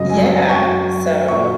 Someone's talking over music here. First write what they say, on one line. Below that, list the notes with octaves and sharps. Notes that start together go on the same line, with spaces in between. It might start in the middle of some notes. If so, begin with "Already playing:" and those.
Yeah. So,
Already playing: F#2 C#3 F#3 D#5
G#5
F#2 F#3 C#6
A#2 F#3 C#6